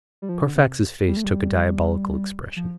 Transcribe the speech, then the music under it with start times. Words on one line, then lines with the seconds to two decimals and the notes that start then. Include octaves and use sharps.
Carfax's face took a diabolical expression.
0.22 G3
0.29 F3
0.41 D3
0.56 C3
1.08 G3
1.17 A3
1.24 G3
2.56 F3